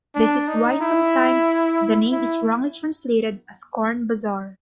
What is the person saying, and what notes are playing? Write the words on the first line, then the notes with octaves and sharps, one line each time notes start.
This is why sometimes the name is wrongly translated as "Corn Bazaar".
D4
D#4
E4
E4